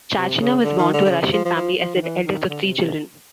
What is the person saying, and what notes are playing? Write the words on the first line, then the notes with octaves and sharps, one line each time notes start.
Tchachina was born to a Russian family as the eldest of three children.
C3
C#3
D3
D#3
D3
D3
C#3
C3
F3
F3
F3
F3
D#3
E3
D#3
D3
C3
C3